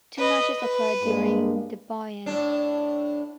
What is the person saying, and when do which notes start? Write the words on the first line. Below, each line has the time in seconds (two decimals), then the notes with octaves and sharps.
Two matches occurred during the Buy In.
0.18 B4 D#5
0.59 B4
1.03 G2 G#3 A#3
2.26 A2 D4